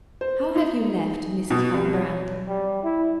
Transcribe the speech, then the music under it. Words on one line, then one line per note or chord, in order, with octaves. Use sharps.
"How have you left Mrs. Van Brandt?"
C5
D#4
B2
C2
F#3
G3
E4